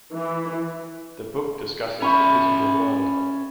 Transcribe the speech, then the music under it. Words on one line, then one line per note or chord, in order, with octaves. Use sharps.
The book discusses the physical world.
E3
C#4 E5 B5 C#6